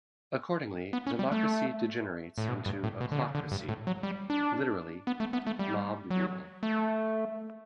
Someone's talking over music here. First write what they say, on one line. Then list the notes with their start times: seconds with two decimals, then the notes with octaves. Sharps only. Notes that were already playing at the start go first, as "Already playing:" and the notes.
Accordingly, democracy degenerates into "ochlocracy", literally, "mob-rule".
0.93 B3
1.07 C#4
1.19 G3
1.32 A3
2.38 A2
2.48 B2
2.66 G2
2.83 A2
3.01 B2
3.12 D3
3.18 C#3
3.35 D3
3.51 G2
3.69 A2
3.87 F#3
4.03 G3
4.30 D4
5.07 B3
5.20 A3
5.33 B3
5.47 A3
5.59 G3
6.11 F#3
6.63 A3